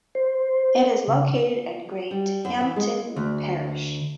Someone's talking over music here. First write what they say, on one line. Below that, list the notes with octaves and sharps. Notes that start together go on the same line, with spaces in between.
It is located in Great Hampden parish.
C5
C#3
G3
F#2
E3
G#3
D2